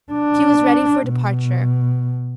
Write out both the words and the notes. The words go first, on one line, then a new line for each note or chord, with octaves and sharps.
She was ready for departure.
D4
B2